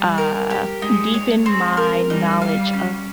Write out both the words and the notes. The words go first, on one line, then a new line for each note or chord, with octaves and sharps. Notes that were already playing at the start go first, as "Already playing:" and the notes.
uh, deepen my knowledge of
Already playing: G3
A#4
G4
G#3 D#4
C#5
G#3 C4
A#4
G3 D#4
F5
C#4